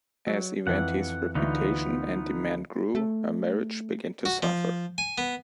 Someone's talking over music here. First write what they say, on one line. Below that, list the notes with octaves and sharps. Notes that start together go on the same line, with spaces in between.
As Evanti's reputation and demand grew, her marriage began to suffer.
F#3
F2 E3 F#5
D2 E3 B3 D#4 F4
A3
F#4
F3
G#5
B3